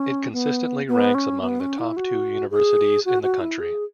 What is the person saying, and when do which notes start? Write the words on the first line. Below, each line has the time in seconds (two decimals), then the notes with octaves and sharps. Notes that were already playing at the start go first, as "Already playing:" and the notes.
It consistently ranks among the top two universities in the country.
Already playing: C#4
0.33 B3
0.88 B3
1.15 C#4
1.41 B3
1.60 C#4
1.79 E4
1.97 F#4
2.51 G#4
3.05 F#4
3.23 F#4
3.41 E4
3.60 G#4